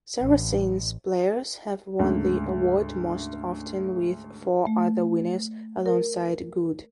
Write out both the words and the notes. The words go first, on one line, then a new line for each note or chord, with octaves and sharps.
Saracens players have won the award most often with four other winners alongside Goode.
A1
D2 G#2 C#3
A3
A#4